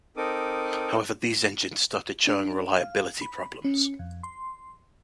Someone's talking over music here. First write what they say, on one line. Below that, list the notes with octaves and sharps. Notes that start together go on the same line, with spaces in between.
However, these engines started showing reliability problems.
C4 D#4 A4 A#4 D6 D#6
D4
F5
B5
C#4
F2
C6